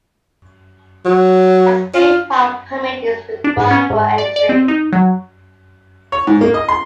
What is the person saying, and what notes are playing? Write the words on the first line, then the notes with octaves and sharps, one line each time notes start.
A state park permit is required for entry.
F#3
F4
D4
G#2
C#4
G#2
D5
D5
C4
D#4
F#3
C#5
G#2
A#3
D#5
C6